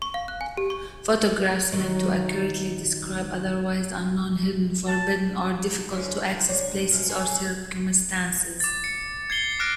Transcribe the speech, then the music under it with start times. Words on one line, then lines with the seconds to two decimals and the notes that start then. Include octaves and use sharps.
Photographs meant to accurately describe otherwise unknown, hidden, forbidden, or difficult-to-access places or circumstances.
0.02 C#6
0.14 F5
0.28 F#6
0.41 G#5
0.57 G4
0.70 C#6
1.72 D#3 F#3
4.87 A5
5.70 D#4 G5 A5
5.91 D3 E3 F3 C#4
6.30 D#3 F4
6.49 C3 D4 C#5 D5
6.91 B2 F3 G3 G#3
7.09 D3 C#4 G#4 A4
8.60 D6 A6
8.84 C#7
9.30 G#6 C7 G7
9.59 D6 F6 F#6 A#6 D7